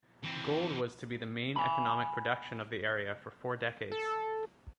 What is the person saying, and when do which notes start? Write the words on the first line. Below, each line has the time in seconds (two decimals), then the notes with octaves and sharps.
Gold was to be the main economic production of the area for four decades.
0.24 E3 C4
1.56 G#5 B5
3.92 A4